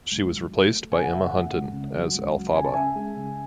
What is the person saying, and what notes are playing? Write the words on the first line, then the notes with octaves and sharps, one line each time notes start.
She was replaced by Emma Hunton as Elphaba.
C#2
F#3
F#3
A3
C#3 G#5
F#5
C#3 E5
F#5
A3
C#2
C#3
F#3
C#2
F#3
C#3 G#5
A5
C#4 E5 G#5
G#3
C#3